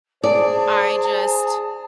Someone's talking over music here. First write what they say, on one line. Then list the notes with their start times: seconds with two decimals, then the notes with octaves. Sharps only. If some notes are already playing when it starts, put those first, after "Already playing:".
I just
0.24 G#4 C5 D5 A5